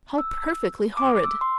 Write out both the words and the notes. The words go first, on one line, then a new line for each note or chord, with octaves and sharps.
How perfectly horrid!
E6
D6
E6
C6